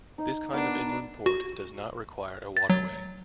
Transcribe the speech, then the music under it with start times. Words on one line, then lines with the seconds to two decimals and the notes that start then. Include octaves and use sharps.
This kind of inland port does not require a waterway.
0.18 D#4
0.53 B3 D4 A#4
1.26 F#4
2.57 A6
2.70 F#3